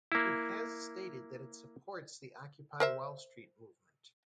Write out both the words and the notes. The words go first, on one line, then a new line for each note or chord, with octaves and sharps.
It has stated that it supports the Occupy Wall Street movement.
A#3 E4
A#4 C5 E5